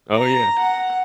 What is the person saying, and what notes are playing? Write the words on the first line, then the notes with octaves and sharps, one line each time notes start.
Oh, yeah.
A#5
F#5